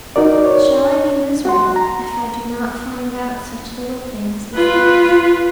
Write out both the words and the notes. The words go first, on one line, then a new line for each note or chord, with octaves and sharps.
But shall I be miserable if I do not find out such little things as this.
D#4 F#4 A#4 D5
C#5
F#4 F#5 C6
A#5
F4 B4